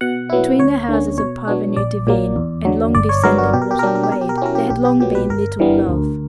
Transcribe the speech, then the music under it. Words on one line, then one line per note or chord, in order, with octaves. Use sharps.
Between the houses of parvenu Devine and long-descended Wotton Wade there had long been little love.
B2 F#5
F#3 B3 E4
D2 C#5
D3 A#3 C#4
B2 C#5
F#3 B3 D4
A#1 D5
A#2 F#3 A#3
E2
D3 F#3
G1 D5
C#5
G2 F#3 B3 A#4
F#4
B2 G4
A#4
G4
A#4
F#3 A#3 D4 G4
A#4
G4
B2 A#4
G4
A#4
G4
F#3 C#4 E4 A#4
G4
B1 G4
G4
A#2 F#3 B3 G4
B4
G1 A#4
G2 E3 G3 B3
D2